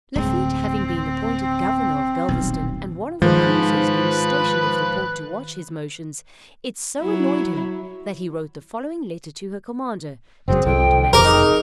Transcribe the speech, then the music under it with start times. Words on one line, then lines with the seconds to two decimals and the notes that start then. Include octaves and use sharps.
Lafitte having been appointed governor of Galvezton and one of the cruisers being stationed off the port to watch his motions, it so annoyed him that he wrote the following letter to her commander, Lieutenant Madison.
0.15 D1 G#3 C4
2.28 D#1 B1
3.22 G#2 D#3 F3 B4
7.01 F#3 E4
10.48 F#1 A#2 F#3 C4 G#4
10.65 C2 F2 G5
11.13 F1 C3 A#4 D6
11.24 D#4 G#4